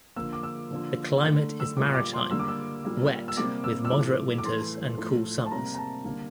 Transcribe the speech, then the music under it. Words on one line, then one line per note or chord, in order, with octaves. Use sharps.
The climate is maritime, wet, with moderate winters and cool summers.
D3 F3 A#3 E6
D6
E6
D3 F3 A#3
D3 A3
E6
A#2 G3 A#3 D6
D6
C6
D3 G3 A#3 E6
D6
E6
A#2 G3 A#3
E6
C3 G3 A#3 D6
E6
E6
A2 F3 A3 D6
D6
A2 E3 A3 C6
A2 F3 A3
A5
C3 G3 A#3 A#5
A#5
A5
D3 G3 A#3